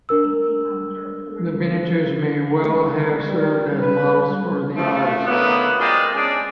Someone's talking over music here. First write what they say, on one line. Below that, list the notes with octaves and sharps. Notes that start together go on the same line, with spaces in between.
The miniatures may well have served as models for the artist.
D4 A#4 E6
G3
B4
F3 A3
D3 F#3 A#3 B3 D#4 E4
G#3 A#3 C4 F4 C5 D5
G#3 C#4 D4 G#4